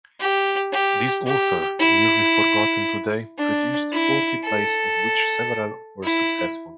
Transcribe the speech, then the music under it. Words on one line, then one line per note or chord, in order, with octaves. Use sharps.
This author, nearly forgotten today, produced forty plays of which several were successful.
G4
G4
G4
E4
D4
E4
A4
E4